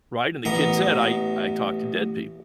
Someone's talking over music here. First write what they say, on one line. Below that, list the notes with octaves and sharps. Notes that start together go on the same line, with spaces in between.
Right, and the kid said, "I I talk to dead people."
A1 B3 A#5